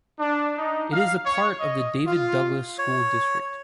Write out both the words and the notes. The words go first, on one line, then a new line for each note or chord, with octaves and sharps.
It is a part of the David Douglas School District.
D4
D#4
F5
C#5
D#5
F4
C#5